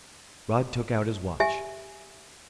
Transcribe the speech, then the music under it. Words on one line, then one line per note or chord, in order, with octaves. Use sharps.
Rod took out his watch.
G4 E5 G#5